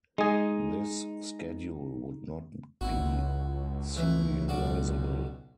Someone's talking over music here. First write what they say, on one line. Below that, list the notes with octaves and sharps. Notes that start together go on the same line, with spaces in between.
This schedule would not be serializable.
G#3 D#4 G#4
G#1 E4 F#4
C#2
E3 A3
B1 F#4 D5